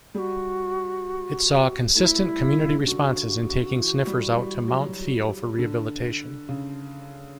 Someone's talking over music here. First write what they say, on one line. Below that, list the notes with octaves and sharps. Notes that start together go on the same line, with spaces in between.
It saw consistent community responses in taking sniffers out to Mount Theo for rehabilitation.
G3 F#4 G#4
A3 E4
G3
C#3
C#3
D3 F#4
E3
G3
G3
F#3
D3
C#3